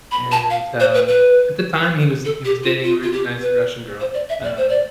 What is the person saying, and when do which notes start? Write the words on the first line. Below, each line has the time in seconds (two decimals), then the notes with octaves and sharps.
And, um, at the time, he was he was dating a really nice Russian girl, um,
0.12 B5
0.32 A5
0.50 F5
0.80 C5
0.94 B4
1.08 B4
2.25 A4
2.45 G4
2.64 F4
2.84 F4
3.03 F4
3.12 G4
3.42 B4
4.00 C5
4.14 D5
4.29 E5
4.44 D5
4.57 C5
4.69 D5